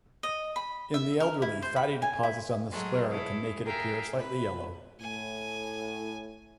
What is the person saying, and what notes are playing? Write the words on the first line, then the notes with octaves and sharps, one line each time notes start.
In the elderly, fatty deposits on the sclera can make it appear slightly yellow.
D#5
B5
E5
A#4
E4
C5
B5
G#5
E4
F#3 G#3 A3
E4 G#4 A4 C#5
G#4 A#4 E5 F5 G5
B4
A2 G#5